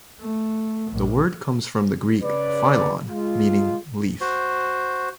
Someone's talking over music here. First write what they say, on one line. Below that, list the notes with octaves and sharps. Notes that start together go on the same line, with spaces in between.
The word comes from the Greek "phyllon", meaning "leaf".
A3
A#1
C#3 B4 D5
G#3 F4
F#4 C5